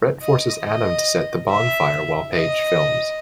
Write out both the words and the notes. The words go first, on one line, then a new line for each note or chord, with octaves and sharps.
Brett forces Adam to set the bonfire while Paige films.
D#5
D#5
E5
D#5